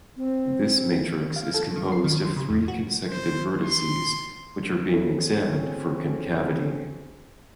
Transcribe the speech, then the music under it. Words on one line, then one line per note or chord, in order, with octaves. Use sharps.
This matrix is composed of three consecutive vertices which are being examined for concavity.
C4
F5
A4
D#3
C7
D#3
C6
C#3
F2
F#4
C5
C6
C4 C#4 E4 F#4 G#4 A4